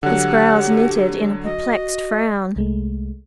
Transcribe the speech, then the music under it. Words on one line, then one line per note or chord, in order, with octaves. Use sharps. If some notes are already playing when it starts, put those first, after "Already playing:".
His brows knitted in a perplexed frown.
D3 F#3 G4 F#5
F#4 D#5
C2 G#3 A3